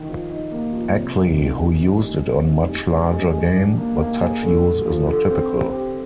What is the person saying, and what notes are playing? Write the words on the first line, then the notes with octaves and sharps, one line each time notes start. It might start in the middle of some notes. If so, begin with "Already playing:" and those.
Ackley who used it on much larger game, but such use is not typical.
Already playing: D#3
F3
D#4
A#3
F3
C3
C3
D#3
G#3
D#3
G#3
C4
D#4
G#3
G#3
G#3
G#3
D4
A#3
A#3
G#4
D3
D3
F3
D3
C4
C5
G4